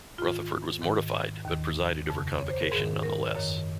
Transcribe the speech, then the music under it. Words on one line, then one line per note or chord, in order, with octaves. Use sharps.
Rutherford was mortified, but presided over convocation nonetheless.
G#2 D#3 F4
G#2 D#3
D#2 D#3
F2 C#3
C#5
C5
A#4
G#2 D#3 G#4
A#4
F#2 D#3 C#5